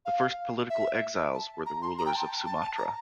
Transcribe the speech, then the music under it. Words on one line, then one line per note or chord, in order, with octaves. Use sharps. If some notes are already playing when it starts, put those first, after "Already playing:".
The first political exiles were the rulers of Sumatra.
F5
E5
A5
A#5
C6
A#5
G5
A5
A5
A5
A#5